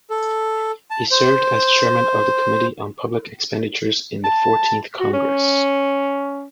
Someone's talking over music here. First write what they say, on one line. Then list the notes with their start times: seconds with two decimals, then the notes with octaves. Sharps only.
He served as Chairman of the Committee on Public Expenditures in the Fourteenth Congress.
0.10 A4
0.91 A5
1.11 C5
4.24 A5
5.00 F#4
5.13 C#4